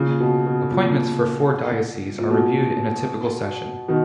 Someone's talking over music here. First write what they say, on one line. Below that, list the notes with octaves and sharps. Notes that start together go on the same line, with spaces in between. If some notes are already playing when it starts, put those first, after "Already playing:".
Appointments for four dioceses are reviewed in a typical session.
Already playing: A#2 C#3
B2
B2
A#2
A#2
B2
B2 D#3